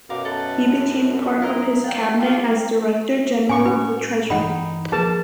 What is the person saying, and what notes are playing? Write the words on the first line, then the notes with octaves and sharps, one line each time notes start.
He became part of his cabinet as director general of the treasury.
F#2 B2 A#4 F5 D6
A4 B4
E4 A#4 D#5
F4 F#5 G5
F4 G4 F5
A2 C#4 G#5 C#6
F#4 B4
G2 E3 D#4 F#5 G5 B5
F3 A#3 G#4 A#4 B4 A5